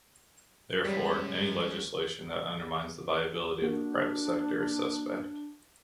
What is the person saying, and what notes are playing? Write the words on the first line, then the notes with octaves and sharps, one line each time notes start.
Therefore any legislation that undermines the viability of the private sector is suspect.
F#2 G3 G#3 C#5 B6
A#3 D4 F#4